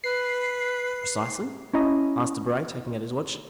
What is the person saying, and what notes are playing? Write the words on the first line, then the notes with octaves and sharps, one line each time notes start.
"Precisely?" asked Debray, taking out his watch.
B4 C7
C#4 E4 D#5 A#5